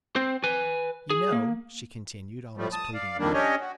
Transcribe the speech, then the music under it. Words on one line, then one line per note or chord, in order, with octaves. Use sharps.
"You know," she continued, almost pleadingly.
C4 C5
B4 G#5
G#4
A#3
A2 F3 G3 A3
A5 D#6
D5 F5
F2 D#3 G3 A#3 D4
C#4 D4 G4 C#5 D#5
F#4